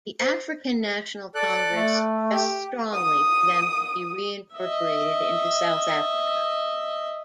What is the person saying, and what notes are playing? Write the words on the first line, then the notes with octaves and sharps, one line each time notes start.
The African National Congress pressed strongly for them to be reincorporated into South Africa.
C5
A4 D5 F#6
A3
G4
D#6
D#5 E5